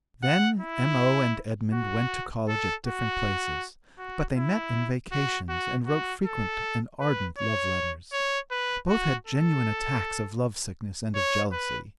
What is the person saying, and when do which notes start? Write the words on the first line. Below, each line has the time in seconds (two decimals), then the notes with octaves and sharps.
Then M.O. and Edmund went to college at different places, but they met in vacations and wrote frequent and ardent love-letters. Both had genuine attacks of love-sickness and of jealousy.
0.23 F#5
0.60 E4
1.73 F#4
2.48 A4
2.86 F#4
3.99 F#4
4.37 E4
5.12 F#4
5.49 F#4
5.87 F#4
6.25 A4
7.01 B4
7.39 C#5
8.13 C#5
8.51 B4
8.89 F#4
9.27 A4
11.15 C#5
11.52 B4